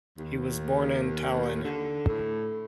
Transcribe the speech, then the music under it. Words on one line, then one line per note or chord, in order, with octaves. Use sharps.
He was born in Tallinn.
D#2
D3
A2